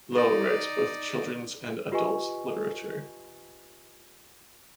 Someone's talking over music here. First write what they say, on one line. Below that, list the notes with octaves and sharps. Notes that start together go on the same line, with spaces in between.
Loe writes both children's and adult literature.
D#4 D5
F4 G4 B4 D#5 G#5 C#6